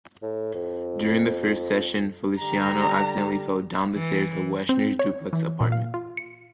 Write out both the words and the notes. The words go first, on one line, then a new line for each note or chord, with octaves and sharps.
During the first session, Feliciano accidentally fell down the stairs of Weshner's duplex apartment.
A2
F2
D3 G3 A#5
E3
C4
C#5
E3
A#2
F5
F4
C#7